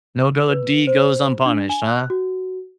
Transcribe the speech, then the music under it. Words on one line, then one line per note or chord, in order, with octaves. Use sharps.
No go deed goes unpunished, huh?
B4
C5
D4
G#5
F#6
F#4